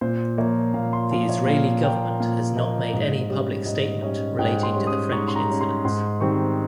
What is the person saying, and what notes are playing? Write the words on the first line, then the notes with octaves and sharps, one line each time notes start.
The Israeli government has not made any public statement relating to the French incidents.
A#2 C5
F3 A#3 C#5
A#2 F5
C6
F3 A#3 F5
C#5
A#2 F5
F3 A#3 G5
A#2 F5
F3 A#3 D#5
G#2
G3 C#4
G#2 D#5
G3 C#4 D#5
G#2 G5
C6
G3 C#4
D#6
G#2 C#6
C6
A#5
G3 C#4
C6
G#2 C6
D#3 G3 C4 D#4 C#6